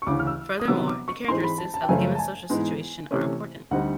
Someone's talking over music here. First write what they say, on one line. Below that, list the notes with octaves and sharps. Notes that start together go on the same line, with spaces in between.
Furthermore, the characteristics of a given social situation are important.
C#6
D2 C#3 E3 D6
F6
E6
D#6
C3 D#3 F#3 B3 E6
D6
C#6
G#2 E3 G#3 C4 C6
B5
A5
A5
G5
F#2 C#3 F3 A3 G#5
A5
G#5
G#2 E3 G#3 B3
C3 E3 A3 C#4
D2 D3 G3 C4 D#4 F#5